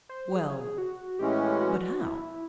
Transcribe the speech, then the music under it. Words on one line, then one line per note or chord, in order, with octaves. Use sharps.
"Well; but how?"
C5
G#4
F#4
A2 E3 G#3 C#4 G4
F#4
E4